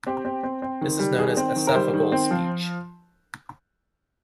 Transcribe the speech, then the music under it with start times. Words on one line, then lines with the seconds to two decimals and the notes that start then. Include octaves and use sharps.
This is known as esophageal speech.
0.07 C4 G4
0.25 C4
0.43 C4
0.62 C4
0.81 D#3
0.99 G3
1.18 D#3 G#4
1.37 C4
1.56 D#3
1.67 A#4
1.74 G3 C5
1.94 D#3
2.12 C4
2.31 F3